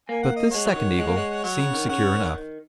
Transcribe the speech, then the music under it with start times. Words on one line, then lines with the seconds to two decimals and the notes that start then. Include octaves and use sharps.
But this second eagle seemed secure enough.
0.09 A#3 G#5
0.23 F#5
0.36 D#5
0.50 G#3 C#5 F#5
0.66 F#3
0.76 D#3
0.99 G#3
1.07 A#3
1.17 G#3
1.43 F#3 C#5 F#5
1.59 C#3
1.73 D#3
1.89 C#3 C#5 F#5
2.12 D#3
2.34 D#3